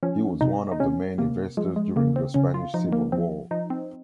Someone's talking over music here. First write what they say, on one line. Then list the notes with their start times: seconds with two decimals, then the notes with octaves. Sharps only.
He was one of the main investors during the Spanish Civil War.
0.03 F3 C#4
0.41 C3 D#4
0.72 D#4
0.80 C3 C#4
1.18 C3 A#3
1.57 F3 G#3
1.76 G#3
1.96 C#3 A#3
2.16 C4
2.34 C#3 C#4
2.54 F4
2.74 F3 D#4
2.93 A#3
3.12 F3 C4
3.51 F3 D#4
3.70 C4